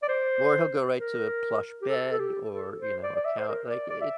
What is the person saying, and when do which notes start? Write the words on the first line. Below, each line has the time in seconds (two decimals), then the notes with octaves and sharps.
Or he'll go right to a plush bed or, you know, a cou like, i it
0.03 D5
0.09 C5
0.99 A#4
1.82 G4
1.89 A4
2.13 A4
2.20 G4
2.50 A4
2.80 C5
3.03 D5
3.16 D5
3.25 E5
3.39 C5
3.49 A#4
3.70 D5
3.90 D5
4.01 E5